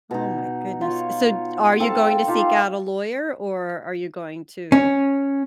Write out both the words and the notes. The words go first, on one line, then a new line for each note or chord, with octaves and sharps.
oh my goodness, so g are you going to seek out a lawyer, or are you going to
B2 D#4
F4 C#5
C4 A4 F5 A5
D#4 F4 G4
C#4